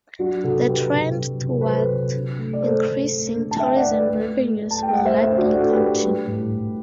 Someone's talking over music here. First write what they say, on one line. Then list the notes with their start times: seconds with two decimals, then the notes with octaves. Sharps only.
The trend toward increasing tourism revenues will likely continue.
0.19 F#3 D4 F#4
0.44 C3 F#4 A4
0.68 F#3 G4 B4
0.92 C3
1.16 F#3
1.41 C3
1.61 B4
1.65 F#3 A4 C5
1.90 C3
2.14 D3
2.38 A3
2.53 D5
2.62 A3 A4 C5
2.87 A3
3.11 A3
3.36 D3
3.51 A5
3.59 D3 E5 G5
3.76 D5 F#5
3.84 A3
3.92 B4 D5
4.08 A3
4.32 A3
4.57 A3
4.71 A5
4.81 A3 G5
4.93 F#5
5.05 A3 C5 E5
5.22 C5 E5
5.30 D3
5.38 D4 F#4
5.54 A3 F#4 A4
5.70 G4 B4
5.79 A3
5.86 G4 B4
6.02 G3
6.27 A2
6.51 A2